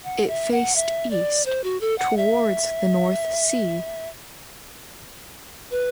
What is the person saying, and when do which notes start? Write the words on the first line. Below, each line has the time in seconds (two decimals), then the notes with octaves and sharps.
It faced east towards the North Sea.
0.04 F#5
0.28 E5
0.52 F#5
0.76 E5
1.11 D5
1.46 C5
1.64 F#4
1.81 A4
1.98 F#5
2.17 E5
5.71 B4